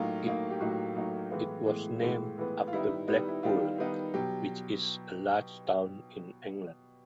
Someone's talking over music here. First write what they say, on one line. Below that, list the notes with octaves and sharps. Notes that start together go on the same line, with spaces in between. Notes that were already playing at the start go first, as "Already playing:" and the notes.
It was named after Blackpool, which is a large town in England.
Already playing: A2 F#3 A#3 D#4 F4
A2 F#3 A#3 D#4
G4
A2 F#3 A#3 D#4 F#4
A2 F#3 A#3 D#4
A2 E3 G#3 B3 F4
A2 E3 G#3 B3
A2 E3 G#3 B3
A2 E3 G#3 B3
F4
D#3 G3 B3 D#4 E4
D#3 G3 B3 D#4
E4
D#3 G3 B3 D#4 F4
D#3 G3 B3 D#4
B2 F#3 G4